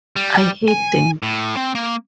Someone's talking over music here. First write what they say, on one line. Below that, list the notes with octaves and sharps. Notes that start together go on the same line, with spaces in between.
I hate them.
G3
G#5
A2
C4
A#3